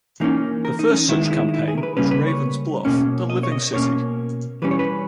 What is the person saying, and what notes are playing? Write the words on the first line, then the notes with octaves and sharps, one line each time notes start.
The first such campaign was Raven's Bluff, the Living City.
E3 A#3 C#4 D#4
A#4
D#4
C#4
D#4
D#3 G#3 B3 E4
D#4
E4
D#4
E4
G#4
A#4
B4
C#3 G3 A#3 C#4 B4
B4
C#5
B2 A#3 C#4
D#5
C#5
D#5
B2 A#3 C#4 C#5
E3 G3 C#4 B4
C#5
B4